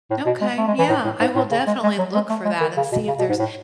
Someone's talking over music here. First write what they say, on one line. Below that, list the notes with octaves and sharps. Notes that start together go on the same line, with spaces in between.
Okay, yeah, I will definitely look for that and see if there's
A2
B2
G#3
A3
G#3
E3
A2
A2
G#2
A2
C#3
G#3
G#3
F#3
G#3
A3
G#3
D#3
C#3
B2
C#3
B2
G#2
A2